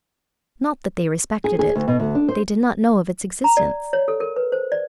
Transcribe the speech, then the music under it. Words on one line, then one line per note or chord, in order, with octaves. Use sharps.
Not that they respected it; they did not know of its existence.
G#4
G#4
D2
B2
D2
D4
C5
A#5
D5
C#5
A4
A#4
B4
C5
D5